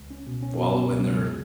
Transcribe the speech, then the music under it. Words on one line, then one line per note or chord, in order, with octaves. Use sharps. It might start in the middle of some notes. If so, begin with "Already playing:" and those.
wallow in their
Already playing: C#2
C#4
B2
C#4
B2
B2
C#2
C#2
C#3